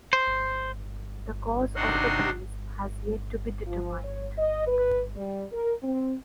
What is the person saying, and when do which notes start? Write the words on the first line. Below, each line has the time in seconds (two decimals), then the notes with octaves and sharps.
The cause of the blaze has yet to be determined.
0.13 C5
1.75 C3 D4 D#4 F#4 F#5 C6
3.67 F3
4.04 C#5
4.37 D#5
4.67 B4
5.16 G3
5.52 A#4
5.82 C4